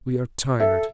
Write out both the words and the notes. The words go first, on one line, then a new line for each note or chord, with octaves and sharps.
We are tired.
A4 E5